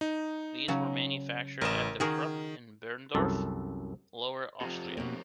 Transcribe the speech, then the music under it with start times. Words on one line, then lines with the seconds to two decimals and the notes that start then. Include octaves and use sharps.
These were manufactured at the Krupp in Berndorf, Lower Austria.
0.01 D#4
0.68 C#3 F#3
1.61 A1 A#4 D#5 E7
2.00 D#3 F#4 G#4 A#4
3.15 C2 F#2 A4
4.61 F2 C3 F4 A4
4.97 B2 A#3 A#4 C#5